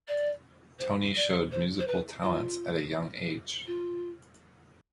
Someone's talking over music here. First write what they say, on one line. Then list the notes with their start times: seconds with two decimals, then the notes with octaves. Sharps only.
Tony showed musical talents at a young age.
0.07 D5
0.79 C5
1.16 D5
1.51 C5
1.79 C5
1.87 B4
2.23 F4
3.66 F4